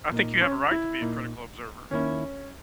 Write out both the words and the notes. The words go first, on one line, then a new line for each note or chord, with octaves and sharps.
I think you have a right to be a critical observer.
A#2 A#3 D#4
C#4
E4
A#2 A#3 D#4
D#2 D#3 A#3 C#4 E4